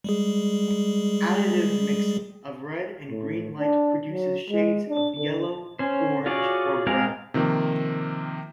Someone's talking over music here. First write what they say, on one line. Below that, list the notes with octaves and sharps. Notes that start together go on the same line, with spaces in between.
Additive mixing of red and green light produces shades of yellow, orange, or brown.
G3 G#3 G#4
A2
D4
F#3
G#3
D4
D3
C#4 C5
F4 F#4 G#4 C#5 D5
G#3 C4 G#4 A#4 F5
C3 D#3 F3 A#3